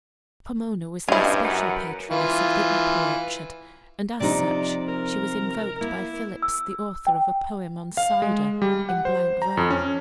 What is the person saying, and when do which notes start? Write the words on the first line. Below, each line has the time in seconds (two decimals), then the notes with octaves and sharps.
Pomona was the especial patroness of the Apple-orchard, and as such she was invoked by Phillips, the author of a poem on Cider, in blank verse.
1.08 G2 C#4 E4 G#4 D#5 F5
1.45 F#2 A#4 B4 F#5
2.10 E3 F4
4.20 C3 F3 D#4 D5
4.88 A#4
5.81 A#3 E4
6.42 E6
7.07 G5
7.97 F5
8.22 G#3
8.62 G3
8.89 F#5
9.05 C5
9.42 A#5
9.57 F2
9.70 C#4